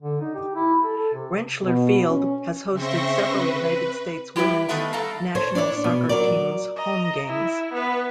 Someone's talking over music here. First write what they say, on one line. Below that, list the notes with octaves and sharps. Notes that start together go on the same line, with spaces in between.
Rentschler Field has hosted several United States women's national soccer team's home games.
D3
D#4
G4
E4
A4
A4
C3
B2
C#4
C#3 C4 E5 C6 C#6 A#6
B4
G3 E4 G4 A#4 B4 E5
D#3 A3 B3 B4 E5 A#5
G2 A4 F5 A5 A#5
A4 C5 C#5
D4 E4 C#5 D5
B2
F#3 A#4 D5
D#5 A#5
E4
B3 B4